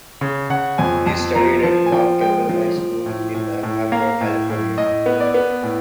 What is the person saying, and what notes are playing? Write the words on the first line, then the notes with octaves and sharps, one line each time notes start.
He studied at Mark Keppel High School in Alhambra, California.
C#3
C#3 F#5
F2 G#5
F2 A5
F3 A#5
F3 A5
G#5
F3 G5
G#3 G5
F3
F3
A2
A2
A2
A#3 F5
A2
A2
A2 D#5
B3
D5
B3
A2